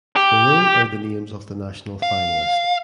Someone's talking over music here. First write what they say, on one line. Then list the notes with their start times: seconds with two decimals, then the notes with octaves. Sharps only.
Below are the names of the national finalist.
0.16 G4
2.03 F5